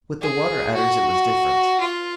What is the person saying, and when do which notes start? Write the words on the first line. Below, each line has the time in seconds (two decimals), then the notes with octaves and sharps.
With the Water-Adders it was different.
0.21 G#4
0.74 F#4
1.80 F4